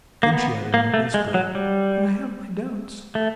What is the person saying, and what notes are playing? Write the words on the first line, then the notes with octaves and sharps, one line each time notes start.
Then she added in a whisper: "But I have my doubts."
A#3
B3
A#3
A3
G#3
F#3
G3
A3